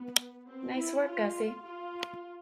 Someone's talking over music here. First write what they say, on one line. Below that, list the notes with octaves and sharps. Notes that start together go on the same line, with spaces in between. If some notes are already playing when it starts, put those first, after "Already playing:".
Nice work, Gussie.
Already playing: B3
C4
E4
F4
F4